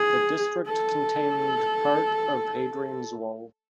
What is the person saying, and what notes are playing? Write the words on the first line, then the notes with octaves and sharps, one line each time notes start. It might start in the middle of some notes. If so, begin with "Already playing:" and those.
The district contained part of Hadrian's Wall.
Already playing: G#4
A4